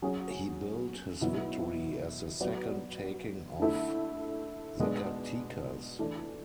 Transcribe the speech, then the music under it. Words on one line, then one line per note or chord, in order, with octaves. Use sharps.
He billed his victory as the second taking of Zacatecas.
F#3 C#4 G#4
B2 F#3 B3 E4
F#3 B3 F#4 B4 D5
D3 A3 E4
B2 G#3 B3 D4
E3 A3 D4